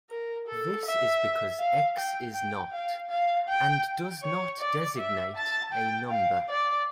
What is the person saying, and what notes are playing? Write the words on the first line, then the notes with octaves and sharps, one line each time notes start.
This is because "X" is not, and does not designate, a number.
A#4
A4
E5
F5
G5
G5
F5
F5
G5
C#5
D5
E5
A5
G5
F5
D5